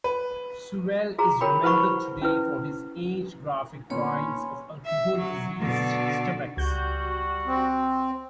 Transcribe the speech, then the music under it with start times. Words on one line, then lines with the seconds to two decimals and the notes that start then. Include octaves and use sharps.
Sewell is remembered today for his eight graphic drawings of alcohol diseased stomachs.
0.04 B4
1.18 F#4 G#4 A#5
1.41 F#4 A#4 C#5 G5 B5
1.63 E4 B4 C5 F#5 B5 C#6
2.22 C#4 E4 B4
3.90 A#2 B3 C#4 C#5 B5 C6
4.85 E5
5.18 F#3
5.60 B2 D3
6.57 C#2 G3 F#4 G6
7.46 C4